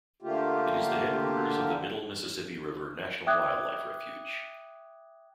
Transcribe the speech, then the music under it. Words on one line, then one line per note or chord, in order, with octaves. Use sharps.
It is the headquarters of the Middle Mississippi River National Wildlife Refuge.
D3 A3 A#3 F4 G4
E5 G5 D6 D#6 F#6 G#6